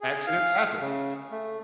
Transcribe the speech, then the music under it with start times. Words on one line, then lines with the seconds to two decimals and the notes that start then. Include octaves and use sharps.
Accidents happen.
0.01 G#4
0.27 F5
0.81 C#3
1.31 A3